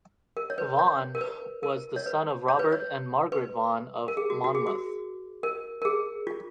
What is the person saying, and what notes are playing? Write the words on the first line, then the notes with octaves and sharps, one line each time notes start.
Vaughan was the son of Robert and Margaret Vaughan of Monmouth.
A#4
C#5
B4
C#5
A#4
B4
A#4
C#5
B4
C#5
B4
C#5
B4
A#4
G#4
F#4
F#4
G#4
F#4
A#4
A#4
G#4
F4